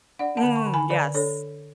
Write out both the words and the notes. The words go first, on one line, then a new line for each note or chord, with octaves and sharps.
Mm, yes.
D4 D5 F#5
F#5 A5
D3
A5 C#6
D3
G#5 B5
D3 B4 D5
D4 A4 C#5